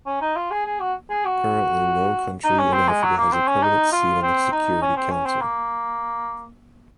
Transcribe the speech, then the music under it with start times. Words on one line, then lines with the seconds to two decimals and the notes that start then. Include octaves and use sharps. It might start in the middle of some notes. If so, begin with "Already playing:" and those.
Currently, no country in Africa has a permanent seat on the Security Council.
0.06 C#4
0.21 D#4
0.36 F4
0.51 G#4
0.65 G#4
0.80 F#4
1.10 G#4
1.25 F#4
2.44 D#4
2.59 C#4
2.73 C4
2.88 G#3
3.03 F#3
3.18 A#3
3.33 C4
3.48 C#4
3.62 D#4
3.92 F4
4.23 C4
4.52 D#4
4.82 C#4
4.97 C4
5.11 C#4
5.26 C4
5.41 A#3